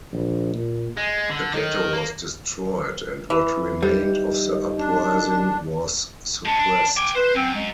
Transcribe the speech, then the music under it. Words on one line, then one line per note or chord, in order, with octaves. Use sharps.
The ghetto was destroyed and what remained of the uprising was suppressed.
A#1
A#2
G#3
D3
D#3
A#3
E3
G3 D#4
D4
G#3 C#4 A5
D4
G5 G#5 D6
B4 C5
F#2 C4
G#3